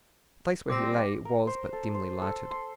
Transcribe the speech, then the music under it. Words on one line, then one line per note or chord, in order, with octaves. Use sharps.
The place where he lay was but dimly lighted.
G3 C4 D6 A#6
A#4
C5
A4
C5
A4
C6